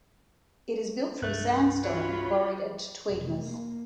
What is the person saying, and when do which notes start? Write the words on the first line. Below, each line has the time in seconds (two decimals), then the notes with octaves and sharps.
It is built from sandstone quarried at Tweedmouth.
1.22 C2 G2 A3 F#6
1.83 F#3 F4 C#5 B5
3.10 F1
3.44 A#3